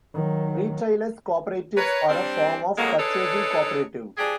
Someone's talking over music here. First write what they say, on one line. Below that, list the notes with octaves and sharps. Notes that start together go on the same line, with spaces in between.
Retailers' cooperatives are a form of purchasing cooperative.
D#3 F#3
A#4 B4 C#5
G3 C4 D4
F2 C#3 F#3 G#3 A#3
D4 D#4 G#4 A4 B4 C#5
F3 D4 G4 G#4